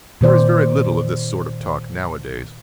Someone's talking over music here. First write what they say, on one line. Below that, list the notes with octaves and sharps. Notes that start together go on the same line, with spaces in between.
There is very little of this sort of talk now-a-days.
A#2 D#3 C5 D5